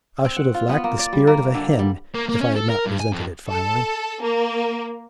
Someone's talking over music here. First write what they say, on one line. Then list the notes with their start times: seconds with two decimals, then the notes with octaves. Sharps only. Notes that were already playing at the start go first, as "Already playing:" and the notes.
I should have lacked the spirit of a hen if I had not resented it finally.
0.25 C4
0.37 F#5
0.54 F4
0.69 B3
0.84 A#3
0.99 D5
1.13 G3
1.27 A#3
1.54 D3
1.79 G3
2.15 A#3
2.29 A#3
2.40 C#4
2.56 A4
2.69 A#4
2.86 G2
3.00 G#5
3.13 F2
3.49 A4
4.21 A#3